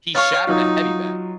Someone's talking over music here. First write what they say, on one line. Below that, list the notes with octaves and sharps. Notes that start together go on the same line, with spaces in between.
He shattered a heavy bag.
C#5 F5 C#6 A6
F#3 D#4 F4